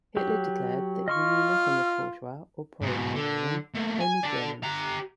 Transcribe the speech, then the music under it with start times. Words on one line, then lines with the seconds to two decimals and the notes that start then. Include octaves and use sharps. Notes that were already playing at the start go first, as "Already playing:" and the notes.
Hitler declared that he knew nothing of bourgeois or proletarian, only Germans.
0.17 F#3 G4
1.08 F4 D#5 C6 C#6 F6
2.82 G#2 B2
3.15 D3
3.75 A3 A#3
4.01 G#5
4.23 A4 D5
4.63 G4 A#5